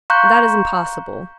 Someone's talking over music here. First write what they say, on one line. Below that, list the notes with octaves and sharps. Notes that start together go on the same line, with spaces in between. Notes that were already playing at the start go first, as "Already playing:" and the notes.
"That is impossible."
F5 A#5 C6 C#6 F#6 G6